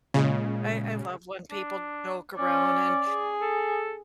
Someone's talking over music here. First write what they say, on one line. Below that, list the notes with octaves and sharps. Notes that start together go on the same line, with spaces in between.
I I love when people joke around, and
A#2 C#3 G#3
D4
C#4 D5
G#4
A4